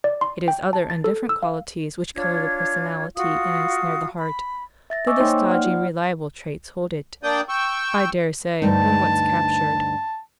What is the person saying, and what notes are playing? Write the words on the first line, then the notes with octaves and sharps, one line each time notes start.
It is other and different qualities which colour the personality and ensnare the heart; though the stodgy and reliable traits hold it, I dare say, when once captured.
D5
C6
G5
A5
A6
A4
E6
F5
D4 F4 C#5 G#6
F4 F#4 F5 D#6
B5
E5 A6 A#6
D#5 G#5 C#6 D6 E6
A#3 D#4 C5 C#5 G5 C6
A#3 D#4
D5 F#5 F6
F4
A#3 D4 D5 G5 D#6
G5 C#6 E6
D2 G2 D#4 A5